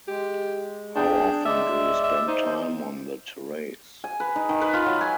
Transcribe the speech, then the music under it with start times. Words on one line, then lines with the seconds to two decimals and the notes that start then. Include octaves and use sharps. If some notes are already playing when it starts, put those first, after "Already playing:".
How often do you spend time on the terrace?
0.08 G#3 G4
0.96 D4 G#4 G5
1.45 G#3 D5 E5
2.04 E5
2.28 D#4 C5
4.04 G#5
4.20 B4
4.36 D#4
4.49 D#3
4.61 B4
4.73 F4
4.86 F#3
5.01 G#5